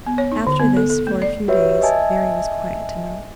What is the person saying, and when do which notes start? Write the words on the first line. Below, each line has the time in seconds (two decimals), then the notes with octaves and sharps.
After this, for a few days, Mary was quiet enough.
0.07 B3
0.18 C#5
0.32 D#4
0.47 D3
0.60 B3
0.77 A4
0.90 A4
1.07 A3
1.22 D5
1.48 F#4 G4 B4 C#5 E5
1.81 D#5 E5 G#5 A5